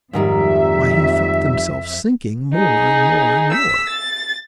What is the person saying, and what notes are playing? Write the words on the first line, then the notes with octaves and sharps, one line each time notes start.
Why, he felt himself sinking more and more and more.
F2 G#2 D#3 G3 E5
D#4 G#4
E6 B6
A6